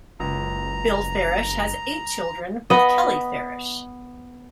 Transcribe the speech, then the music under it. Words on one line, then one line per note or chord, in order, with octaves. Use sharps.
Bill Farish has eight children with Kelley Farish.
F#1 C#2 A#5
B3 D#5